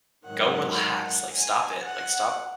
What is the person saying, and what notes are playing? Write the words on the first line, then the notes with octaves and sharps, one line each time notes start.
go relax. Like, stop it. Like, stop
G#2 D#3 F#3 F#5
F#5
G#5
F#5